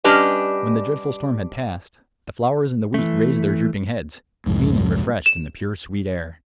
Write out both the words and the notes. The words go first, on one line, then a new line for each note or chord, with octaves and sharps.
When the dreadful storm had passed, the flowers and the wheat raised their drooping heads, clean and refreshed in the pure, sweet air.
G3 C#4 D4 G4 B4 D#5
E3 A3
C2 F2 G#2
E7